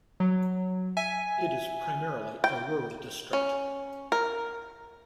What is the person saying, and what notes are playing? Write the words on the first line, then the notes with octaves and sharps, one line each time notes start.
It is primarily a rural district.
F#3
E5 G#5
G5
C#4
A#4